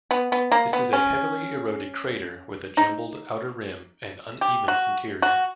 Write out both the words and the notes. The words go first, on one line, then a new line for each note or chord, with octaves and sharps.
This is a heavily eroded crater with a jumbled outer rim and uneven interior.
B3
B3
A#3
B3
C#4
D#4
G4
F#4
F#4